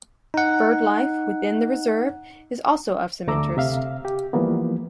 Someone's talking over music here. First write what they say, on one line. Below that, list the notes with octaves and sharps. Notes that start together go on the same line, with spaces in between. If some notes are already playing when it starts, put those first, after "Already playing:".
Bird life within the reserve is also of some interest.
D#4 F#5
D2 D3 A3 A#5 D6 E6
C3 E5 F5
G4
E3 F3 G3 A#3 B3